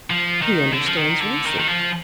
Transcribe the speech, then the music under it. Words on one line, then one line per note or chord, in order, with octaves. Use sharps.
"He understands racing."
F3
D#3
D3
F3
D#3
D3
D#3
D#3
F3